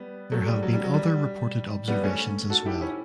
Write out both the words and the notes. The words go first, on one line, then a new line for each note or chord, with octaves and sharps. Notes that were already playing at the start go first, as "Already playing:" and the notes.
There have been other reported observations as well.
Already playing: G3 B3
F#3 A3
G3
F#3
G3
F#3
G3
G3 B3
A3 C#4
F#4 A4
E4 G4
C#4 E4